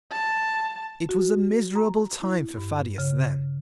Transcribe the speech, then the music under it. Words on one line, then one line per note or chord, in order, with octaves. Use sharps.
It was a miserable time for Thaddeus then.
A5
F#4
A#5
E4
G2
C#3